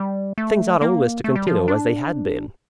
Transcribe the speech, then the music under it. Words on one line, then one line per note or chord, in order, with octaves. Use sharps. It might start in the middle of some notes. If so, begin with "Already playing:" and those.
Things ought always to continue as they had been.
Already playing: G3
A3
A#3
A3
G3
F3
D4